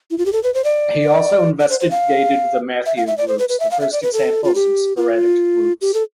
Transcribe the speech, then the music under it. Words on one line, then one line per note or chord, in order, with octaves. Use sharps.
He also investigated the Mathieu groups, the first examples of sporadic groups.
E4
F4
G4
A4
B4
C5
D5
D5
C5
C5
F5
E5
F5
E5
D5
C5
B4
B4
E5
F5
E5
D5
B4
A4
F4
G4
F4
G4
A4